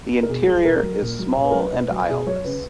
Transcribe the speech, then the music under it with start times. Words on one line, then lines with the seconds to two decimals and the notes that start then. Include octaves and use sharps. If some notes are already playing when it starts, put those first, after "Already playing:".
The interior is small and aisleless.
0.23 A#4
0.29 B2 G#4
0.46 F#3 G#4
0.64 B2 A#4
0.83 F#3
1.01 A#2
1.19 F#3
1.36 A#2 C#5
1.44 B4
1.51 A#4
1.54 F#3 B4
1.72 B2
1.90 F#3
2.09 B2 G#4
2.26 F#3 C#5
2.44 C#3 B4